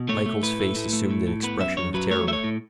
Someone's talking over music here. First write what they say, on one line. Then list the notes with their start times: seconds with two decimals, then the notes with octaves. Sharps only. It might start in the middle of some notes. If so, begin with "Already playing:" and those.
Michael's face assumed an expression of terror.
Already playing: B2
0.09 A3 C#5
0.26 A3
0.43 A2 B4
0.60 A3
0.76 A2
0.93 A3
1.11 A2
1.27 A2
1.43 B3 B4
1.60 F#2 E5
1.77 F#2 C#5
1.94 F#3 B4
2.10 A3 C#5
2.27 A3 E5
2.33 C#5
2.44 A2